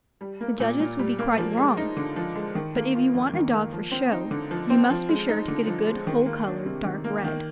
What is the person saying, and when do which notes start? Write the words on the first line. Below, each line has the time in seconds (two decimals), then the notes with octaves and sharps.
The judges would be quite wrong, but if you want a dog for show you must be sure to get a good whole-coloured dark red.
0.21 G3
0.41 A#3
0.60 A#2
0.80 A#2
0.99 G3
1.19 A#3
1.38 F3
1.57 G#3
1.77 D#4
1.97 D3
2.16 F3
2.36 G#3
2.55 D#3
2.75 A#3
2.95 F4
3.14 F2
3.33 D#3
3.53 A#3
3.72 F3
3.91 C4
4.12 D#4
4.31 D3
4.51 F3
4.70 C4
4.90 F3
5.09 G#3
5.29 D#4
5.48 D3
5.67 F3
5.87 G#3
6.07 D#3
6.26 A#3
6.46 D4
6.65 C3
6.85 D#3
7.04 A#3
7.24 D#3